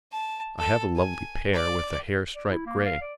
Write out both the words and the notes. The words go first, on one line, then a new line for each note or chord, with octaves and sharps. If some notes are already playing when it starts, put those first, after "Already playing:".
I have a lovely pair with a hair stripe, grey.
A5
A4
G#5
D5
D5
E4
A#3
F5
D5